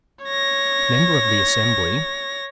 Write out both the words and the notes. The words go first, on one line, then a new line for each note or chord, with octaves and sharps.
Member of the Assembly.
C#5 A#6